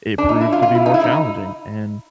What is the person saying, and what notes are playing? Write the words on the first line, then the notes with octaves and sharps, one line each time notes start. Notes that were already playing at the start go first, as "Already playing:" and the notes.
it proved to be more challenging, and
D4
D#4
E4
F4
F4
E4
D#4
E4
D#4